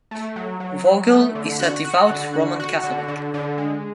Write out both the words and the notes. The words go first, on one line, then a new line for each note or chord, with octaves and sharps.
Vogel is a devout Roman Catholic.
A3
F#3
F#3
F#3
A3
D3
F#4
F#4
D3
F#4
F#4
D3
D3
D3
G#3